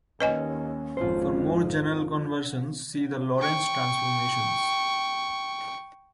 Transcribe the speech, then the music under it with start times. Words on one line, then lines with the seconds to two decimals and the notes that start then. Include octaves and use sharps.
For more general conversions, see the Lorentz transformations.
0.20 D#2 C#4 B4 D#5 G#5
0.97 G#1 F2 G#2 F4 C5
3.40 G5 C#6